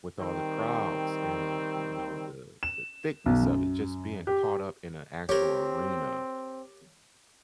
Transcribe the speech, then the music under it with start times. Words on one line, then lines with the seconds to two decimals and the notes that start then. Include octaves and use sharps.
with all the crowds and the you know, the the thickness of it, just being caught up in an actual arena
0.18 D#3 G3 C4
2.63 E7
3.26 B1
3.42 F#2
4.27 G4
5.29 C4 G4 A#4 C#5